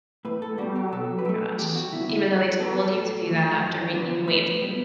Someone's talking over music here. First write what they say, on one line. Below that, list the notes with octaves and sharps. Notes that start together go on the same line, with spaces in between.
Oh my gosh. Even though they told you to do that after making you wait until
A2 B4
A4
G3 B3 F#4
G4
B2 A4
B4
F#3 A3 A4
E2 G4
F#4
D3 G3 B3 E4
E4
G2
F#3 B3 A4
B4
A4
A2
E3 A3
F#2
D3 F#3 B3
A2 B4
G3 B3